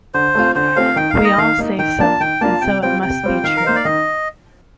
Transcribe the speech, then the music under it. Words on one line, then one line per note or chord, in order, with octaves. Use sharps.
We all say so, and so it must be true.
D3 C5
A3 C4 F4
D3 C5
A3 C4 F4 F5
D#3 G5
F5
A#3 D#4
D#5
D#3 F5
A#3 D#4
D#3 G5
A#3 D4 F4 A5
D#3 G5
A#3 D4 F4 A5
C3 G5
G3 C4 F4 G5
C3 G5
G3 C4 F4
D#3 F5
A#4
A#3 D#4 C5
D5
D#3 D#5